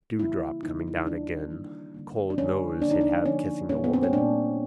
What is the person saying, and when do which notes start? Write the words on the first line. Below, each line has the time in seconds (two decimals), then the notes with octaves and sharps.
Dewdrop coming down again. Cold nose he'd have kissing a woman.
0.19 C#3 E3 G3 A#3 E4
0.63 C#3 E3 G3 A#3 D#4
0.87 E4
0.97 D#4
1.07 D#3 G3 A#3 D4
1.50 D#3 G3 A#3
1.94 D3 G3 A#3
2.30 D4
2.38 D3 G3 A#3 C#4
2.82 D3 F3 A#3 D4
2.91 D#4
3.01 D4
3.26 D3 F3 A#3 C#4
3.69 A#2 G3 A#3 C#4
3.84 B3
3.93 C4
4.03 C#4
4.13 A#2 G3 A#3 D4